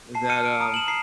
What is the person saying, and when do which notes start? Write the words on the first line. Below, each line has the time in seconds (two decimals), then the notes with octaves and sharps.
that, um,
0.15 A5 C7
0.29 F6 C#7 D#7
0.45 D7
0.60 A#5 D#6 D7
0.74 E7 F#7
0.87 A#5 C7